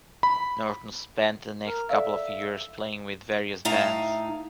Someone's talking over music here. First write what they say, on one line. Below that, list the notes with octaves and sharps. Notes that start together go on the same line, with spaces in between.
Norton spent the next couple of years playing with various bands.
B5
A#4
A4 D5 E5 F5
A2 A3 D#4 E5 F5 A#5